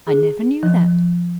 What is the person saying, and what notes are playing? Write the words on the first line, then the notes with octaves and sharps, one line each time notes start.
I never knew that.
G#4
F3